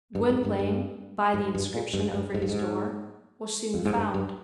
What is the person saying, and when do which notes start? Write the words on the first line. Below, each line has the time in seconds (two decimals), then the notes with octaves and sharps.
Gwynplaine, by the inscription over his door, was soon found.
0.15 G2
0.30 G#2
0.45 G2
0.59 G2
1.34 G#2
1.55 G2
1.74 A#2
1.93 G2
2.14 G2
2.34 G#2
2.42 G2
2.49 G#2
3.74 F2
3.86 G#2
3.94 G2
4.14 G2